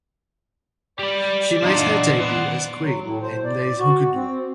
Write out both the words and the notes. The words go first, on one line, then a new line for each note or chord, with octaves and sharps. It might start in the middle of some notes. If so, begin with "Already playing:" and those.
She made her debut as queen in "Les Huguenots".
G3 G4 D5 B5
A#2 E3 D4 D#4 F4 C5 F#5
B3
F#3
A2
C5
D5
F#4
C4